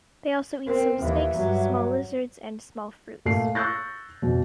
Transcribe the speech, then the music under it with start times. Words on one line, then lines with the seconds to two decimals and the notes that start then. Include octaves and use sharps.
They also eat some snakes, small lizards and small fruits.
0.67 C4 A#4
1.01 D#2 E3 E5
1.35 G2 F#3
3.25 A#2 A3 C7
3.55 C#6 E6 F#6 G6 A6 A#6
4.22 F2 B2